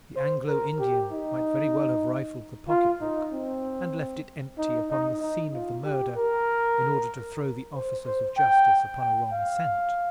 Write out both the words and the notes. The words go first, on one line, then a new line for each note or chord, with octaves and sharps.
The Anglo-Indian might very well have rifled the pocket-book, and left it empty upon the scene of the murder, in order to throw the officers of justice upon a wrong scent.
C5
A#4
G4
D#4
F4
D#4
C4
D#4
D#4
D#4
F4
G4
A#4
C5
C5
G5
G5
F5